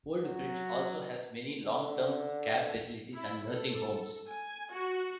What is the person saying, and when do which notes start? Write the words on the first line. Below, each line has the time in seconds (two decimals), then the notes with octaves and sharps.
Old Bridge also has many long term care facilities and nursing homes.
0.23 F#3
1.64 D3
3.13 E4
3.46 A4
4.27 G#5
4.71 F#4